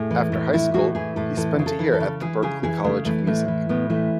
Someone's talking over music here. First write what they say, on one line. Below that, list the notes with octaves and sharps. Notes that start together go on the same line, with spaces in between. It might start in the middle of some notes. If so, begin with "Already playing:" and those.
After high school, he spent a year at the Berklee College of Music.
Already playing: A2 G#4
E3
A2
E3 E4
A2 F#4
E3 G#4
A2 A4
E3 A4
C#3
A4
E3
A4
C#3
E3 G#4
C#3 G#4
E3 G#4
C#3 A3
E3 A3
A2 A3
E3
A2 B3
E3 A3